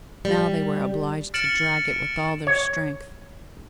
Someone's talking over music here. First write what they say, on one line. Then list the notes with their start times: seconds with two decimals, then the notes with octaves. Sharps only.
Now they were obliged to drag it with all their strength.
0.25 G3
1.34 F6 A6 C#7 D7 E7 F#7
2.47 C#5